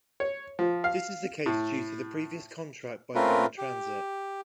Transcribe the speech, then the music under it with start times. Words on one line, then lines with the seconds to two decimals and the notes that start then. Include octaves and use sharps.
This is the case due to previous contract by Vaughan Transit.
0.20 C#5
0.59 F3
0.84 F5
1.46 A2
3.15 A3 C4 C#4 F4 A#4 B4
3.58 G4